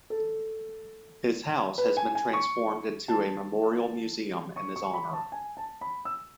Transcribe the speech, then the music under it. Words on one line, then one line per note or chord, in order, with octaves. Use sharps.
His house has been transformed into a Memorial Museum in his honour.
A4
B4
G#5
G#5
C#6
A5
C#6
C#6
B5
A5
G#5
A5
B5
E6